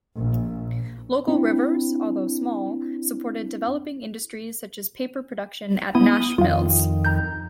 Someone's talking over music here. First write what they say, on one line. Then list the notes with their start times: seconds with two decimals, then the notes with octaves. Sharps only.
Local rivers, although small, supported developing industries such as paper production at Nash Mills.
0.16 A#1 A#2
1.28 C4 D4 E4
5.95 B3 E4 D#6
6.38 F2 D#3 F4 F5
7.05 A#5 G6